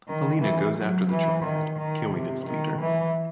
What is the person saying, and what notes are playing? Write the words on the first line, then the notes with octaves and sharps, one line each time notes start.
Helena goes after the Triad, killing its leader.
D#3
E3
F#3
E3
D#3
D#3
C3
D#3
E3